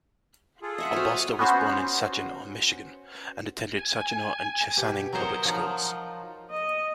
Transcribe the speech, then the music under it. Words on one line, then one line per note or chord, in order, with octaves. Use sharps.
Albosta was born in Saginaw, Michigan and attended Saginaw and Chesaning public schools.
F4 G#4 A4
D#5 E5 F#5
F#4 C5 C#5 D#6 F6
B3 C#4 F#4 C5
G#5
B2 G4
F#3 F#4 A#4 C5 C#5 D#5
F3 F#3 D#4 F4
D#5